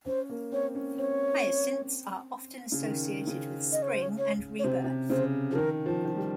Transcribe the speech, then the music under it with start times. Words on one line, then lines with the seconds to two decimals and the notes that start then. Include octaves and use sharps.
Hyacinths are often associated with spring and rebirth.
0.06 C#4 C5
0.30 A#3
0.52 C4 C#5
0.75 C#4
0.98 C4 C#5
2.72 C#3
2.82 D#3
3.27 C#3
3.72 D#5
3.82 C#5
3.92 C5
4.02 C#5
4.18 C#5
4.59 C#5
4.64 C3 C5
4.84 C3
5.10 C#3 C5
5.51 F3 G#4
5.55 D#3 A#4
5.86 F3
6.05 F3
6.16 G3